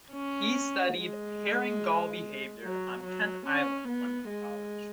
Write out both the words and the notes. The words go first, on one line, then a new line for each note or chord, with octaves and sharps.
He studied herring gull behavior on Kent Island while in college.
C#4
G#3
F#3
F#3
C#4
B3
G#3